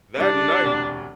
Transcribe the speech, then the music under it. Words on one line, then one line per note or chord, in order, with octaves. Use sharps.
that night
C2 C3 G3 D4
E1 D2 C3